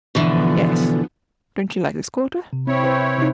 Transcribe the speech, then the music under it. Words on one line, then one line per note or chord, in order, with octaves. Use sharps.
"Yes; don't you like this quarter?"
B2 D3 E3 F3 B3
C3
C4 E4 C#5
B4 C5 E5
C3 D#4